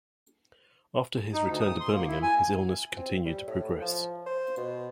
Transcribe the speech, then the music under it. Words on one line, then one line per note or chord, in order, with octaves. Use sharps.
After his return to Birmingham, his illness continued to progress.
D#4
D2
D#6
C6
A#3
E4
G#5
C4
G3
A2
F3
C5
B2